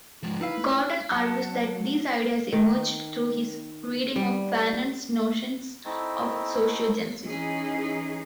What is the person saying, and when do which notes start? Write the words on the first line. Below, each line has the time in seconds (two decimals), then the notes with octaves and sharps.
Gordon argues that these ideas emerged through his reading of Fanon's notions of sociogenesis.
0.23 G#2 F3
0.41 D#4 E4 B4 F5
1.12 F#3 F#5 A5
2.53 D#3
4.16 G3
5.85 A3 C4 D#4 E4
7.24 E3 C#4 D#4 G#4